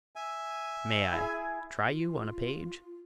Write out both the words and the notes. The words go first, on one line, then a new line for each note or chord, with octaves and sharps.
"May I try you on a page?"
E5 G#5
E4 G#4
F4